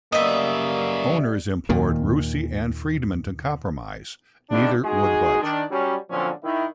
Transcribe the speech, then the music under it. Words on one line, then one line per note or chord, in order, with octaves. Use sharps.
Owners implored Rusie and Freedman to compromise; neither would budge.
F#2 C#3 G3 A#3 B3 D#5 E5
D#2 A#2 D#3
G#1 D4
G#3 D#4 F#4 G#4
D#3 D4
F#3 G3 C#4
A#2 D3 F3 F#3 C4 C#4
D#3 E4